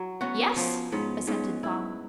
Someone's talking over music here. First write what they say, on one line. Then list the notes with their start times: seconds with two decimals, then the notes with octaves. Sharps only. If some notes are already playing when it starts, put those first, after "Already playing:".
"Yes," assented Thong.
Already playing: F#3
0.21 B3 C#4 F#4
0.56 F3 B3 C#4
0.92 G#2 B3 C#4
1.27 G#2 B3 C#4
1.63 E4